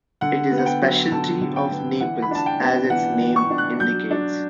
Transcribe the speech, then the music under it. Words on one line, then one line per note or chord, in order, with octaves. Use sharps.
It is a speciality of Naples, as its name indicates.
D3 F#5
B3
F#5
G5
F#3
D3 A5
D3
G5
B3
E3 F#5
B5
D4 A5
G5
B3
E3 F#5
E3
C#6
D4
F#6
F#3 G6
D4